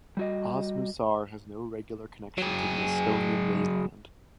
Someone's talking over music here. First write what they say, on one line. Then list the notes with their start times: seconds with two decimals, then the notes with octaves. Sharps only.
Osmussaar has no regular connection to the Estonian mainland.
0.17 G3 F#4 D#5
2.38 F#3 G#4